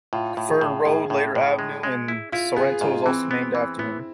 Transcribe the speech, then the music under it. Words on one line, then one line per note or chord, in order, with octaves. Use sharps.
Kerferd Road, later Avenue, in Sorrento is also named after him.
A2 F4
A2
G#4
A2
A2 G#4
A2
A2
G#3
G#3
E4
E4 F4
B3 G#4
G#2 F4
E3 C4
B3
E3
B3 E4